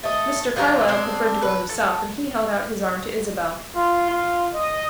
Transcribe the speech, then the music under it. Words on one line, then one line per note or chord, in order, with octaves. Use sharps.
Mr. Carlyle preferred to go himself, and he held out his arm to Isabel.
A3 D#5
D3 F3 F#3 A#5
G#3 C4 D4
B4
A4
F4
F4
D#5